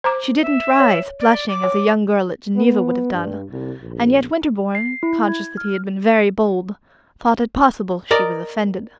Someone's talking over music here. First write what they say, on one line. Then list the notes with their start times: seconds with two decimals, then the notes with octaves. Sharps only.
She didn't rise, blushing, as a young girl at Geneva would have done; and yet Winterbourne, conscious that he had been very bold, thought it possible she was offended.
0.04 C5 A#5 D6
0.42 E5
0.80 C#5
1.20 D5
1.48 D6
1.63 C#5
2.56 B3
3.14 G2
3.50 C2
3.81 A#1
4.75 C7
5.03 E4
5.29 G#6
5.57 F6
8.11 A#4 D5 D#5